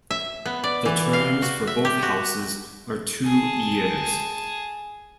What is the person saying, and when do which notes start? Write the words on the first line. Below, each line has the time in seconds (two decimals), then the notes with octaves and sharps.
The terms for both houses are two years.
0.11 E5
0.46 B3
0.64 D5
0.86 E3
1.13 F5
1.42 F#4
1.67 E5
1.85 G4
2.02 F#4
3.25 G#4 A5